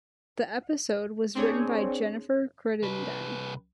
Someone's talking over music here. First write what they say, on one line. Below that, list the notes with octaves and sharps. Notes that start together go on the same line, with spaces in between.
The episode was written by Jennifer Crittenden.
C4 D4 G#4 C#5
C2 B4